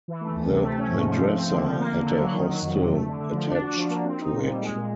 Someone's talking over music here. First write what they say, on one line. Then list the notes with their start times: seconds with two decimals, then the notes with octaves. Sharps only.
The Madressa had a hostel attached to it.
0.08 E3
0.21 A3
0.36 D2
0.49 C3
0.64 A3
0.78 C#4
0.93 G#2
1.07 F3
1.20 A3
1.35 C4
1.50 D3
1.64 F3
1.78 A#3
1.92 D3
2.06 D3
2.21 F#3
2.34 D#3
2.49 F#3
2.62 F2
2.77 C3
2.91 A3
3.06 D3
3.20 D3
3.33 F3
3.47 D4
3.62 F#4
3.76 F3
3.90 A#3
4.04 C4
4.19 D#4
4.33 A#2
4.47 G3
4.61 G#3
4.76 A#2